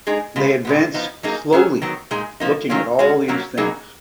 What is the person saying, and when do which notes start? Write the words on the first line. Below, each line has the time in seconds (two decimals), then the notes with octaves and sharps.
They advance slowly, looking at all these things.
0.07 G#3 D#4 G#4
0.36 C#3 G#3 B3
0.65 A#2 G#3 B3
0.94 F3 B3 D#4
1.23 F#3 A#3 D#4 G#4
1.52 F#3 C#4 G#4
1.82 D#3 F#3 B3
2.11 A#2 G#3 D#4 G#4
2.40 F3 A#3 D#4
2.69 D#3 F#3 C#4 F4
2.99 G#3 C#4 F#4
3.28 F#3 A#3 C#4 F#4
3.57 B2 F#3 A#3 D#4 G#4